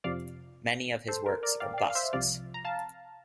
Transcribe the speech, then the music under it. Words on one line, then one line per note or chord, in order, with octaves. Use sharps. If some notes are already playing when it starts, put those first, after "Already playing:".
Many of his works are busts.
F2 C3 F3 D5 F5
A4 C5
A#4
A#4 D5
D5 F5
D5 F5
F5
C5 E5
C2 C3 F3 D5 F5
A#5
F5 A5